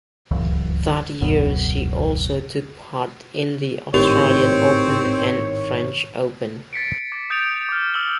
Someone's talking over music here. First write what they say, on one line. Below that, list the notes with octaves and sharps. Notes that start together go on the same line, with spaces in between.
That year she also took part in the Australian Open and French Open.
D1 C#2 F#2 E3
E1 C#2 F#2 B2
G#1 A2 D#3 C4 G4 C#5
A6 B6 C#7 D7
D6 A6
D#6 G6 A6 B6 D7 F7
D6 F6
D6 E6 F6 A6 F#7 G7